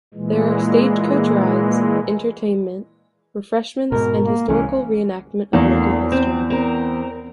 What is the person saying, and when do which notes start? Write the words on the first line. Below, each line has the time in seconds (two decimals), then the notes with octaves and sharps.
There are stage coach rides, entertainment, refreshments and historical reenactment of local history.
0.14 A#2 E3 G#3
3.92 G#2 B2 A#4
4.26 A#3
4.49 C2 E3 G#3 C#4
5.53 E2 A3 A#3 D4
6.12 C4
6.50 C4 A#4